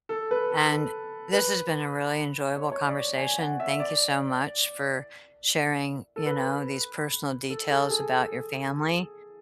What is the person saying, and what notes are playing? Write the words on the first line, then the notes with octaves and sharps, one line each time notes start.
and this has been a really enjoyable conversation. Thank you so much for sharing, you know, these personal details about your family,
A4
B4
A4
B4
C#5
C#5
D5
G#5
F#5
E5
D5
A4
B4
A4
A4
G#4
A4